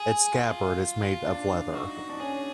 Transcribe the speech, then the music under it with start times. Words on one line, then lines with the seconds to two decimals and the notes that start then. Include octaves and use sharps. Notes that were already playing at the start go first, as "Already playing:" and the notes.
Its scabbard is made of leather.
Already playing: G#4
0.32 F4
1.27 D4
1.73 D#4 F#4
1.97 D#4
2.10 D4
2.20 C#4 G#4